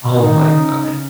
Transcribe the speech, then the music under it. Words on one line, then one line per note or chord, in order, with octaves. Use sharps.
Oh my god.
D#3 D#4
C#3